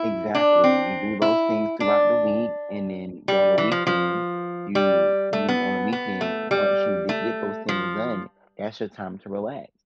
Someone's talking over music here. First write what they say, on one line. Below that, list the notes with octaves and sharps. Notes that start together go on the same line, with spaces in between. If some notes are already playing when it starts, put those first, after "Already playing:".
Exactly. You do those things throughout the week, and then during the weekend, you you on the weekend, once you d get those things done, that's your time to relax.
Already playing: E4
D4
C4
E4
D4
G3
E3
F3
F3
G3
A3
B3
B3
A3
G3
A3
F3